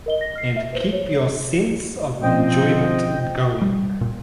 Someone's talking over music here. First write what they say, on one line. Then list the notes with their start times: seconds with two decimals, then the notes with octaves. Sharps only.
And keep your sense of enjoyment going.
0.06 A#4 D#5 G7
0.21 A#6
0.36 F6 C7
0.56 E5
0.73 B4 C5
0.93 C#5
2.23 B2 F3 C4 C#4 D5 D#5 G5
3.62 G3
4.01 A#2